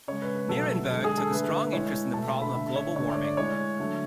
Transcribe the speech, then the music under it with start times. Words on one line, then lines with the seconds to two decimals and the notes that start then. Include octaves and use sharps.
Nierenberg took a strong interest in the problem of global warming.
0.08 C#3 G#3 C#5
0.22 B4
0.36 B4
0.49 B2 F#3 A3 A4
0.90 D3 G#3 A4
1.04 G#4
1.18 A4
1.31 D3 A3 B4
1.46 B4
1.59 B4
1.72 A2 G#3 C#5
2.14 B2 A3 A5
2.42 B5
2.55 D3 A3 E5
2.76 C#5
2.96 D3 A3 C#5
3.10 D5
3.24 D5
3.37 A2 G#3 C#5
3.79 D3 F#3 A3